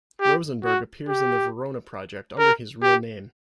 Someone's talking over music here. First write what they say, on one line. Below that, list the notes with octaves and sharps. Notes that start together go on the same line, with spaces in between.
Rosenberg appears in the Venona project under his real name.
G4
F#4
G4
A#4
G4